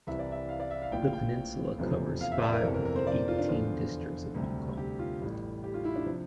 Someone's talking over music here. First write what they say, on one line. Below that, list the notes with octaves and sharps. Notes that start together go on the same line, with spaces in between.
The peninsula covers five of the eighteen districts of Hong Kong.
C2 C3 E3 G3 E5
D5
E5
F5
D5
E5
F5
A#1 A2 F3 G5
F5
G5
F1 E2 C3 F3
F5
E5
D5
A#4
G1 F2 C3 E3 A4
A#4
A#4
C5
D5
F4
D4
E2 D3 F3 F4
D2 C3 G3
G4
F4
A1 A2 G3
G4
F4
E4
D4
C3 F3